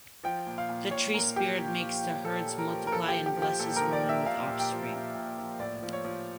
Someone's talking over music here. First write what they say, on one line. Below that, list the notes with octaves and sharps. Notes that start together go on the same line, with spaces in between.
The tree-spirit makes the herds multiply and blesses women with offspring.
F3 G5
A#2
F5
A#2
A#2 C#5
A#2 A#4
F3 G4
A#2
F3
F3
A#2 A4
A#2
A#4
F3
A#4
F3 A4
G4
F3
G4
F3
G4
A#2 A4
A#4
F3
D5
A#2
E5
A#2 F5
A#2
G5
F3
A#2
A#2
F3
A2 D5
F3
C#5
F3